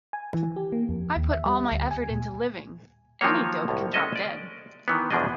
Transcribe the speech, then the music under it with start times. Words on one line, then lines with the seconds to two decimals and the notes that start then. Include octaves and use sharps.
I put all my effort into living; any dope can drop dead.
0.13 G#5
0.34 E3
0.56 G4
0.72 A#3
0.89 F2
1.16 D#2
1.31 E5
1.46 G3
1.72 D2
1.91 G#5
2.10 A#2
3.21 D#3 F3 F#3 A#3 C#5
3.68 C2 A2
3.93 G#3 C#4 A4 D#5 E5
4.16 D5
4.88 D#3 E3 B3
5.10 E2 B2 F3 D4 G#4 D#5